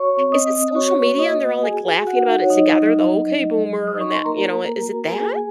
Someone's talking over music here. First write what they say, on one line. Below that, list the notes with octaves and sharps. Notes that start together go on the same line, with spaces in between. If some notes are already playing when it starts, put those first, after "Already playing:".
Is it social media, and they're all, like, laughing about it together? The, "Okay boomer," and that you know, is it that?
Already playing: F#4 C#5 C#6
C4
D#5 D#6
C4
F#4 C#5 C#6
A#3
D#5 D#6
F#4
F#4 G#4 G#5
F#4
F#4 F#5
D#4
C#5
F#3 D#4 D#5
F#3
D#4
F#3
F#3
D#6
D#4
C#6
C6
A#3 A#4 A#5
A#3
F#4
A#3 G#4 G#5